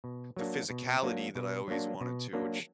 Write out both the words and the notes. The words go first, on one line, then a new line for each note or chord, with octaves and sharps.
the physicality that I always wanted to- which,
B2
F#3 A#3 D4
B2
F#3 A#3 D4
B2
F#3 A#3 D4
B2
F#3 A#3 D4